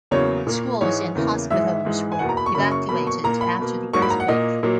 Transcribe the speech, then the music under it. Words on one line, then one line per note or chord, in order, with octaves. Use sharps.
Schools and hospitals were evacuated after the earthquake.
E2 C#3 F#3 A#3 C#5
A#2 A#3
G#2 E3 G#3 C#5
E2 C#3 E3 A#3
G#2 E3 G#3 E5
G#2 E3 G#3
G#5
E2 B2 A#3 F#5
A#5
B5
C#6
F#2 C#3 F#3 A#3 B5
C#6
B2 F#3 A#3 B5
C#6
A#2 A#3 A#5
B5
B2 A#3
G#2 F#3 A#3 C#6
B5
A#5
F#5
A#2 A#3 D#5
A#2 F#3 A#3